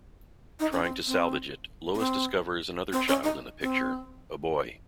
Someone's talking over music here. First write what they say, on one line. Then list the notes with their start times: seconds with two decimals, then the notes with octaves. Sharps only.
Trying to salvage it, Lois discovers another child in the picture: a boy.
0.60 D#4
0.72 C#4
0.83 C4
1.07 C4
1.95 C#4
1.99 C4
2.92 C4
3.08 C#4
3.23 D#4
3.62 C4